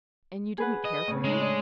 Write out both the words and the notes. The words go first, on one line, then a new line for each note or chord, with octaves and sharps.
"And you didn't care for him!"
G#4 B4 F#5
D#5
A2 C#3
G#3
D4 D5 D#5